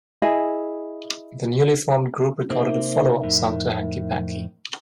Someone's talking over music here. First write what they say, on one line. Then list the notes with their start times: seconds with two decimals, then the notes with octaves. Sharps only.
The newly formed group recorded a follow-up song to "Hanky Panky".
0.22 E4 G#4 D#5 G#5
2.50 C3 A#3 C4 D#4 A#4 E5
3.23 F2 A2